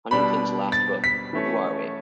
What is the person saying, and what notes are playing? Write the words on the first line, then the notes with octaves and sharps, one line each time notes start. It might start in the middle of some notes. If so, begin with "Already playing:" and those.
Huntington's last book, Who Are We?
B2 G3 D4 B5
A6
B6
E3 A3 C#4